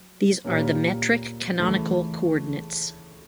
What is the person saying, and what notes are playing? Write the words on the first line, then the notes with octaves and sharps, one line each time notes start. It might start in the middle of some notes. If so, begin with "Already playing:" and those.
These are the metric canonical coordinates.
Already playing: F#3
A#2 G3 A#3 C#4
C#3 E3 A3